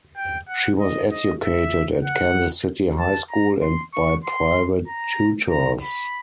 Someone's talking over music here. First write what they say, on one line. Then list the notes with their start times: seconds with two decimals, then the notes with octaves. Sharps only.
She was educated at Kansas City High School and by private tutors.
0.17 G5
0.48 F#5
0.80 D#5
1.11 D#5
1.43 E5
2.05 F#5
2.99 A5
3.30 A#5
3.62 C6
3.93 C#6
4.24 C6
4.88 A#5
5.50 A#5
5.81 B5